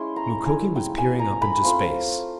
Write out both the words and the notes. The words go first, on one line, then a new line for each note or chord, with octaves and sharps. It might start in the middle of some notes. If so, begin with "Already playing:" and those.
Mukoki was peering up into space.
Already playing: G#3 C#4 E4 C6
A#5
G#5
G5
G#5
A#5
B5
A3 C4 F4 C6